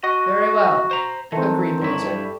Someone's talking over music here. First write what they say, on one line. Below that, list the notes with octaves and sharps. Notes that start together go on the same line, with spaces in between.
"Very well," agreed the Wizard.
F#4 D#5
C5 A#5
D#3 E3 A3 C4
G2 E4 C#5 D6 D#6
G3